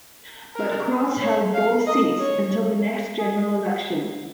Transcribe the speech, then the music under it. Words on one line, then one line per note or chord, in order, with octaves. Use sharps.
But Cross held both seats until the next general election.
A#4
C#5
F5
D#5
C#5
G#4